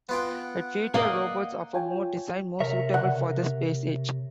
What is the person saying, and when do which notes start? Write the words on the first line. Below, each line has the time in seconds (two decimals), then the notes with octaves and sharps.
It featured robots of a more design more suitable for the Space Age.
0.09 B3 F4 F#5 G5
0.94 A#3 D5 D#5 F5
1.74 F4 C#5 G5 G#5
2.60 C3 A#4 C#5 E5
2.94 C#3 D5 F#5 F#6